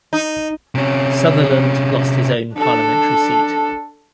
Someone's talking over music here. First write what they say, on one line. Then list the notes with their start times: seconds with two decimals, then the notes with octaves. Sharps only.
Sutherland lost his own parliamentary seat.
0.13 D#4
0.75 C3 C#4
2.55 D4 A4